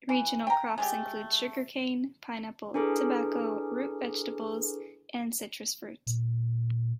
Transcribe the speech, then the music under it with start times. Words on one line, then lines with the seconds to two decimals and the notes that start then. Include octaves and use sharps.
Regional crops include sugarcane, pineapple, tobacco, root vegetables, and citrus fruits.
0.09 E3
0.47 G5 A#5
0.78 G#3 A3 G4
2.74 D4 E4 G#4 A4 B4
6.07 A#2